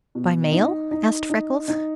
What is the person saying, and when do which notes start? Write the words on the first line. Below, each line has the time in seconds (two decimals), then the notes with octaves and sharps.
"By mail?" asked Freckles.
0.15 B2
0.53 D#4
0.91 D#4
1.30 D#4
1.68 D#4